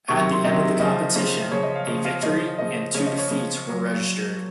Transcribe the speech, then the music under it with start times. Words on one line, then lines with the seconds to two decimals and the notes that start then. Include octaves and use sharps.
At the end of the competition, a victory and two defeats were registered.
0.08 C3 D#3 F#3 C#6
0.20 C#6
0.32 C6
0.44 C3 D#3 F#3 D#5
0.80 C#3 F3 D#5
1.16 C#3 F3
1.52 C#3 F3 C#5
1.63 D#5
1.75 F5
1.87 C#3 F3
2.05 F5
2.23 C#3 F3 D#5
2.58 C#3 F3 D#5
2.94 C#3 F3 C#5
3.06 D#5
3.18 C#5
3.30 C#3 F3
3.66 A#2 F#3